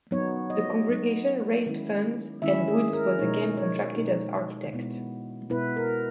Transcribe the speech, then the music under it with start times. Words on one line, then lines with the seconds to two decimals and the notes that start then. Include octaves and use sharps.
The congregation raised funds and Woods was again contracted as architect.
0.11 F#3 B3 D#4 C#5
0.50 D#5
0.89 F#3 B3 D#4
1.66 D#3 G#3 C#4 E4
2.42 D#3 G#3 C#4 E4 E5
2.68 G#4
2.93 A#4
3.19 B2 G#3 D#4 C#5
3.57 C#5
3.96 B2 G#3 D#4
4.73 B2 G#3 B3 E4
5.50 B2 G#3 B3 E4 B4
5.77 A#4